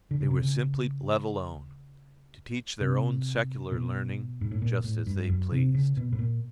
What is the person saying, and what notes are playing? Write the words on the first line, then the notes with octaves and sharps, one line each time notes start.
They were simply let alone, to teach their own secular learning just as they pleased.
D3
C#3
C3
C#3
C3
B2
G#2
A2
A#2
A2
G2
F#2
C3
C#3
B2
A2
A#2